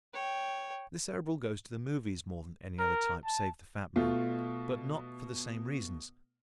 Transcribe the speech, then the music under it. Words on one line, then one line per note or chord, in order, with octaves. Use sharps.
The Cerebral goes to the movies more than any other type save the fat man, but not for the same reasons.
C#5 G5
A#4
A5
B2 A3 F4